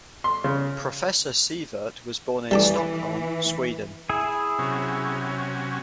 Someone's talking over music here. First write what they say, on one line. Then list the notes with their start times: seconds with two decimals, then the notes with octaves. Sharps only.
Professor Sievert was born in Stockholm, Sweden.
0.24 C6
0.44 C#3
2.51 E3 G3 A4 D6
4.09 E4 G#4 G#5
4.59 C3 F#3 C#4